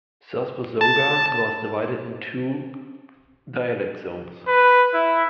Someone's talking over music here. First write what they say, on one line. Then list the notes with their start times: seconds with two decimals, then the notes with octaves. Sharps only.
Thus Busoga was divided into two dialect zones.
0.81 A5
4.48 B4
4.94 E4